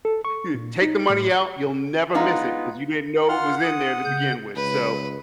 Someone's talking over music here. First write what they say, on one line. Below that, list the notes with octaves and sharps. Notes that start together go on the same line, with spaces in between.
eh, take the money out, you'll never miss it, 'cause you didn't know it was in there to begin with. So,
A4
C#6
A#2
D#4
A2
G#3 B3 D#4 F4
F4 F#5 C6 F6
D#6
C#3 G6
C#2 B4